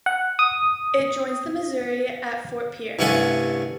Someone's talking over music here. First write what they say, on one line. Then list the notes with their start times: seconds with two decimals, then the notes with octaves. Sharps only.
It joins the Missouri at Fort Pierre.
0.06 F#5
0.39 D#6
2.99 C2 G2 A3 C#4 F#5 G#5